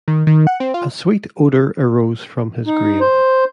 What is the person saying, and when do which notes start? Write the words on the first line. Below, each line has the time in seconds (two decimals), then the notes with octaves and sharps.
A sweet odor arose from his grave.
0.08 D#3
0.27 D#3
0.47 F#5
0.60 C4
0.74 F4
2.67 D#4
3.00 C5